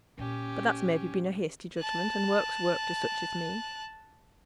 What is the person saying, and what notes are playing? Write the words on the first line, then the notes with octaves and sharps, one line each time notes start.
But that's maybe been a hasty judgment; and work's work to such as me.
A#2 A#3 C#4 G4
A5 F#6